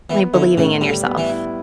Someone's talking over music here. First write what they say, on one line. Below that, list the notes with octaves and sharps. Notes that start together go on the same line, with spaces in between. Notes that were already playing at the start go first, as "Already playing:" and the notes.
Like, believing in yourself.
E3 B3
D3 E4
A2 C#3
D3 G3
B3
E3
E4